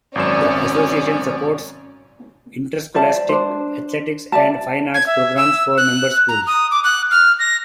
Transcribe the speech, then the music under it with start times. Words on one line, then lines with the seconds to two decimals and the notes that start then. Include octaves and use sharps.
The association supports interscholastic athletics and fine arts programs for member schools.
0.15 G#1 F#2 C#4 D5 E7
2.94 C5 D5 E5 A5
3.29 D4 C5
4.32 D5 E5 A5
4.94 G#6
5.07 E5
5.37 E6
5.77 F#6
6.29 A#5
6.47 D#6
6.71 D6
6.84 F#6
7.11 F6
7.39 A#6